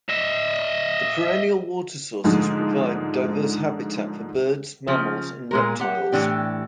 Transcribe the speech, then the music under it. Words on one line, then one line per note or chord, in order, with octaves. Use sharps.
The perennial water sources provide diverse habitat for birds, mammals, and reptiles.
D#5 E5
G#2 D3 F3 G#3
C#3 F3
A#2 G#3 A#4
G4 F#5
A2 E3 D4 G4